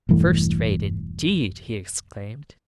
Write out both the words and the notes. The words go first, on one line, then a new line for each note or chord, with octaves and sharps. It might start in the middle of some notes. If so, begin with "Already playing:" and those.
'First rate, indeed!' he exclaimed.
E1 G2 E3 A3